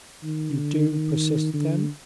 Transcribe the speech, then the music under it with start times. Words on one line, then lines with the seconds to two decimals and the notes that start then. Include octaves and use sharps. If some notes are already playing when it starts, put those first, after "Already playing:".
"You do persist, then?"
0.23 D#3
0.55 D3
0.88 D#3
1.54 D3